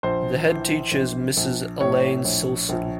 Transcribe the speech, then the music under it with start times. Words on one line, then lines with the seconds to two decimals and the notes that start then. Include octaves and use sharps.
The head teacher is Mrs Elaine Silson.
0.03 A#1 C5
0.48 E3
0.92 A#1
1.37 A#1
1.80 A2 C#5
2.25 A#1
2.69 A#1